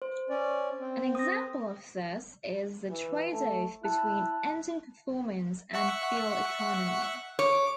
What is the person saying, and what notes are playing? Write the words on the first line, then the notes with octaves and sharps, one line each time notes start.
An example of this is the trade-off between engine performance and fuel economy.
C5
C#4 D5
C4
D#6 A#6
E3
A3
E4 A5 F#6
E5 F#5 C#6
C#5 D6